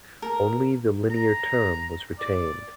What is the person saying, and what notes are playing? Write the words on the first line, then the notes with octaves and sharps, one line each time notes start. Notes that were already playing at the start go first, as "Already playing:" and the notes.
Only the linear term was retained.
A#4
A#5
D5